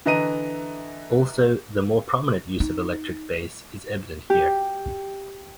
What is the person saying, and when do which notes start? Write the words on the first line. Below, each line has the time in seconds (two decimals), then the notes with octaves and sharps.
Also, the more prominent use of electric bass is evident here.
0.06 D3 E3 D#5 A#5 D#7
2.60 D#4
4.30 G4